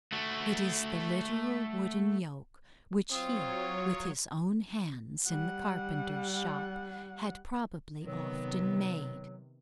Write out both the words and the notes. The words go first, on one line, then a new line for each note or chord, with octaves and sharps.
It is the literal wooden yoke which He, with His own hands in the carpenter shop, had probably often made.
A3 F#4
F#3 C4 F4 C#5 D#6
G3 F#5
C3 D#3 F#3 B3